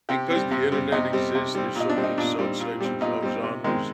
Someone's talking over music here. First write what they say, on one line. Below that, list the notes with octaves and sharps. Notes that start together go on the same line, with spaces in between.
because the internet exists, there's so many subsections of genres
C3 G4
G3 C4
C3
G3 C4
C3 D#4
G3 C4
C3
G3 C4
A#2 D#4
D4
G3 C4
D#4
A#2 D4
G3 C4
A#2
G3 C4
A#2 D#4
G3 C4
C3
D#3 G#3 C4